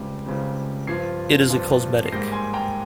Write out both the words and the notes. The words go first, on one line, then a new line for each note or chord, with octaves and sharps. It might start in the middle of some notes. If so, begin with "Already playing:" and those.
It is a cosmetic.
Already playing: C#2 C#3 G3 C4
C#2 C#3 G3 C4
G2 F3 C4 F4 G#6 C7
G2 F3 C4 F4
C7
G#2 G3 A#3 G6 A#6
G#5 C6
G5 A#5